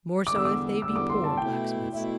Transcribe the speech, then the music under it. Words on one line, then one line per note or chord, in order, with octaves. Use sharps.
"More so if they be poor blacksmiths."
E2 D3 G3 D6
E6
D6
E2 D3 G3 E6
D6
C6
A5
B2 A3 E4 G5
B2 A3 E4 E5